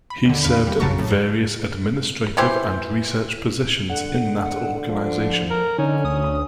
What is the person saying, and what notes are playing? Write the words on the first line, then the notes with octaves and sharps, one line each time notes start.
He served in various administrative and research positions in that organization.
B5
D#2 D3
E2 F5 B5
G3
A#1 C#3 F#3 A5 A#5 C#6
A2
E3 E4 G4 C5
D3 F#5
F3
A#4
D3 C#4 D#4
D2 D#6